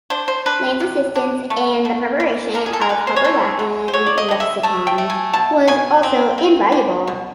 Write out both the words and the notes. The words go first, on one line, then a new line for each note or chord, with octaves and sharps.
Lane's assistance in the preparation of Harper's Latin lexicons was also invaluable.
D4 C5
C5
D4 B4
C3
D4
A3
A3
E3
D3 A#4
G#4
A4
A#4
D3 B4
C5
C#5
A3 C5
F#3
C5
F#3 C#5
D5
D#5
D3 D#5
E5
A3 A5
G5
A3
G#5
B2 A5
B2 G#5
C4
C4
G3
B2